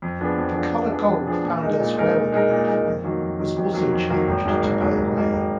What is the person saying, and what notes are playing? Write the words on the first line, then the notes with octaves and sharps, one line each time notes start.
The colour gold found elsewhere on the uniform was also changed to pearl-grey.
F2
F3 B3 D4 G#4
F2
F3 B3 D4 G#4
F2
F3 B3 D4 G#4
F2
F3 B3 D4 G#4
A#2
G#3 D#4 A#4
A#2
G#3 D#4 A#4
A#2
G#3 D#4 A#4
A#2
G#3 D#4 A#4
F2
D#3 F#3 A#3
F2
D#3 F#3 A#3
F2
D#3 F#3 A#3
F2
D#3 F#3 A#3
G#1
G#2 F#3 A#3
G#1
G#2 F#3 A#3
G#1
G#2 F#3 A#3
G#1